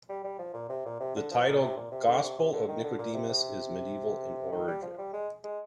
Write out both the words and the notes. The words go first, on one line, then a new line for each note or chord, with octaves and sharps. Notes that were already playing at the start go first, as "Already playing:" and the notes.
The title "Gospel of Nicodemus" is medieval in origin.
G3
G3
F3
A#2
C3
A#2
C3
D3
F3
A#2
C3
A#2
C3
D3
C3
C3
D3
D#3
D3
A#2
C3
C3
D#3
G3
F3
G3
G#3
G#3